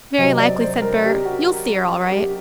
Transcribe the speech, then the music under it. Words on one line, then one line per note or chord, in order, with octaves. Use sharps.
"Very likely," said Bert, "you'll see 'er all right."
C3 F#3 C4 D#5
D5
C5
A#4
G4
F#4
G4